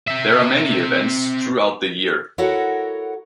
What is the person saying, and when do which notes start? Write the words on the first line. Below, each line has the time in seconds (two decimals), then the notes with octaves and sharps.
There are many events throughout the year.
0.08 C4 E5
2.38 E4 F#4 A4 A#4 C#5 F#5